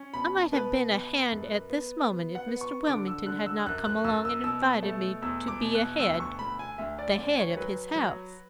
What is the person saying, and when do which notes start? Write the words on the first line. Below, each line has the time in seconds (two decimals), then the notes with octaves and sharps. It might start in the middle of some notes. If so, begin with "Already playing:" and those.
I might have been a hand at this moment if Mr. Wilmington had not come along and invited me to be a head--the head of his house.
Already playing: C#4
0.14 B2 B5
0.52 B2 B4
0.92 B2
1.32 F#2
1.70 B3
2.10 B3
2.35 F#5
2.48 B3
2.61 C#6
2.87 D3 D6
3.08 E6
3.26 D3 F#6
3.46 E6
3.66 F#2 F#6
3.86 F#6
4.05 F#2 E6
4.25 E6
4.44 B2 E6
4.83 A3
5.22 E2 E6
5.48 D6
5.61 B2
5.75 F#6
6.00 D2 E6
6.20 C#6
6.39 D2 B5
6.59 G#5
6.78 D2 E5
6.99 D5
7.18 D2 D5
7.37 C#5
7.56 F#3 B4
7.96 F#3